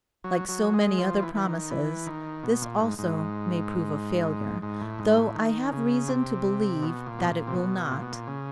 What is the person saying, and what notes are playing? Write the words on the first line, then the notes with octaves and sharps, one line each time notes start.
Like so many other promises, this also may prove a failure, though I have reason to believe that it will not.
F#3
F#3
G#3
F3
E3
E3
D#3
E3
D#3
B2
A#2
G#2
G#2
G#2
A2
G#2
A2
D#3
C#3
C3
B2
A#2
B2
A#2
C3
B2
A#2
B2
A#2
C#3